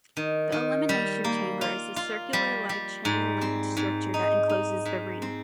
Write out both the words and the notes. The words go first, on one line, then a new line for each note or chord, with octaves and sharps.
The Elimination Chamber is a circular-like chain-linked structure that encloses the ring.
D#3
D#3
G3
A#3
F4
F4
G3
G3
G#2
C4
G#2
D#4
D#4
G#2
C4